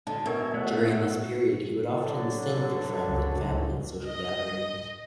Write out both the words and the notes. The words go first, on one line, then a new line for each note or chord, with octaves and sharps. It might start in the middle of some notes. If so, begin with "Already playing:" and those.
During this period, he would often sing for friends and family at social gatherings.
D3 G#3 A5
B2 A#4 E5 G#5 C#6
A3 A4 C#5 E5 F#5
D3 F#3
C#2
C#2
D#5